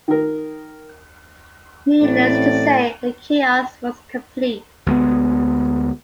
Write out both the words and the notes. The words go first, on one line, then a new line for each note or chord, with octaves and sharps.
Needless to say, the chaos was complete.
D#3 A#4
A1 A2 C4 D5
D2 G#3 B3